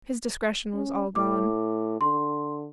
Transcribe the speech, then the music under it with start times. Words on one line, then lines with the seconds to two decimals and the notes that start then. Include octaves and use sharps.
His discretion was all gone.
0.74 C#4
1.16 A2 D6
2.01 D3 C6